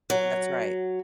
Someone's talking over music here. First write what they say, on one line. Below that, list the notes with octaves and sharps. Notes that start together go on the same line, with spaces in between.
That's right.
F#3